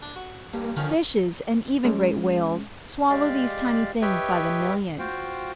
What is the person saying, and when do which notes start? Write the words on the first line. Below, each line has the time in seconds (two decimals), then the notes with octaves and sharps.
Fishes, and even great whales, swallow these tiny things by the million.
0.02 D4
0.16 F#4
0.53 G2 A#3
0.77 D3 D#3 F3 C#4
1.84 G#3 C#4
3.10 G#3 G4 D5 F5
4.02 G4 B4 C#5 D#5 E5 G5
4.99 F4 F#4 C5 F5 G5